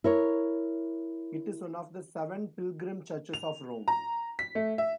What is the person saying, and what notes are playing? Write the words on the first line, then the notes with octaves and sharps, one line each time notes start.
It is one of the Seven Pilgrim Churches of Rome.
E4 A#4 C#5
F7
A#5
B6
A3
E5